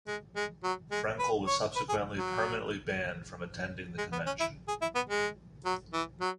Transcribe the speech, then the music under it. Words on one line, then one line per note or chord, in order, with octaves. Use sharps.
Frenkel was subsequently permanently banned from attending the convention.
G#3
G#3
F#3
G#3
B4
C#5
B4
G#4
F#3
G#3
B3
C#4
E4
G#4
E4
B3
G#3
F#3
E3
F#3